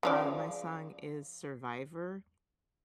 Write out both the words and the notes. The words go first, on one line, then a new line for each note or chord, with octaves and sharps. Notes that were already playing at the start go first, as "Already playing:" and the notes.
Uh, my song is Survivor,
C#3 F3 D5